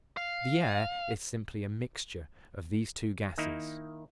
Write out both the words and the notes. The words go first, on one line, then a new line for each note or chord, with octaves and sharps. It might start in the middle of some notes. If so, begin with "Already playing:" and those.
The air is simply a mixture of these two gases.
F5
D#3 A#3 D#4 E4